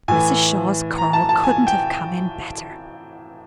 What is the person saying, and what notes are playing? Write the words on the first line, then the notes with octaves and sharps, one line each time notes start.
Mrs. Shaw's coral couldn't have come in better.
A2 E3 G#5
A#5
A5
A5
G#5
G5